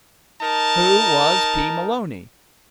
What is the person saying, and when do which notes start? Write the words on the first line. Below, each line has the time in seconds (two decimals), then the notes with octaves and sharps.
Who was P. Maloney?
0.41 D#4 A#4 A5